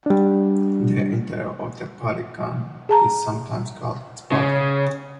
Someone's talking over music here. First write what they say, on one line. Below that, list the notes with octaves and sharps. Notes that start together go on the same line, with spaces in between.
The interior of the polygon is sometimes called its "body".
G3 D4
G#4 A5 A#5
C#3